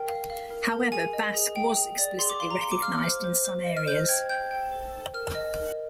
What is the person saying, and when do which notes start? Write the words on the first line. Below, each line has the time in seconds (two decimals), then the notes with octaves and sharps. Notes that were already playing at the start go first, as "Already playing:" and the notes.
However, Basque was explicitly recognized in some areas.
Already playing: A#4 G5
0.08 F5
0.30 F5
0.50 A#4
0.71 A#4
0.92 G#4 G#5
1.13 D#5
1.34 G#4
1.56 G5
1.77 G#4
1.98 D5
2.19 G#4 C6
2.30 D6
2.40 F5 C6
2.51 A#5
2.61 F5 C6
2.72 D6
2.82 F5 F6
2.92 F6
3.03 C5
3.24 C5
3.45 C5
3.66 D#5
3.77 F6
3.87 C5 G6
4.09 G5 G#6
4.29 G5 G6
4.51 G5
4.72 C5
4.93 C5
5.14 A#4 F6
5.35 D#5
5.56 A#4